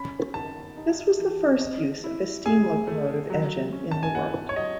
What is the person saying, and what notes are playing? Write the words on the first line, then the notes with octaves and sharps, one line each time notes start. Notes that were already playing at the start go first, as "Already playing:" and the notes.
This was the first use of a steam locomotive engine in the world.
Already playing: C#4 B5
D#3 A5
D#4
E3
D#5
E4
G#4 G#5
A3
F#3
C#4
A5
G#5
E4 F#5
C#5
F#3 D#5